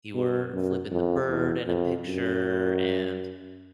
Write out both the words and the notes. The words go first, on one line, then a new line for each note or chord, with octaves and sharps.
you were flipping the bird in a picture and,
B2
F#2
F2
E2
F2
F#2